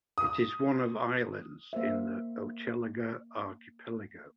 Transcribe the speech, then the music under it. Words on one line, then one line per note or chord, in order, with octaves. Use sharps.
It is one of islands in the Hochelaga Archipelago.
D#6
A#3 C5 E5